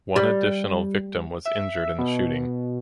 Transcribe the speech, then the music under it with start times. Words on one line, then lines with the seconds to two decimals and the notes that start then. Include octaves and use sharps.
One additional victim was injured in the shooting.
0.16 G3
1.45 E5
1.99 B2